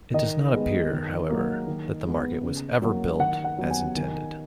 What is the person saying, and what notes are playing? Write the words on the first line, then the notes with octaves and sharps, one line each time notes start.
It does not appear, however, that the market was ever built as intended.
D#3 D#5
G#3 B3
D#3
F#3 A#3
D#3
G#3 B3
C#3
F#3 A#3
D#3 F#5
F#5
F#3 B3
G#5
D#3